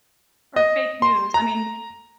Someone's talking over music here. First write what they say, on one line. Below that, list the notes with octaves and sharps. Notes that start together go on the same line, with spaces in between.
Or fake news, I mean,
D#5
C6
A#5